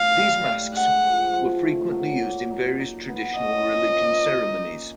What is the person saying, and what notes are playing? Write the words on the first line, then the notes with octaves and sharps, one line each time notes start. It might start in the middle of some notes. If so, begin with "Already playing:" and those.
These masks were frequently used in various Traditional Religion ceremonies.
Already playing: A2 F5
G3
A2
G#3 F#5
F3
F3
A3
F#3
A#2
D#4
D#4
B3
C#4 D#5
F3
A#3
D#4
D#4